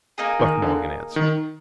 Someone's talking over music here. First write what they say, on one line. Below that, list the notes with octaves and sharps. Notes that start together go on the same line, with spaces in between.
Buck Mulligan answered.
A#3 D#4 G#4
D#3
D3
D#3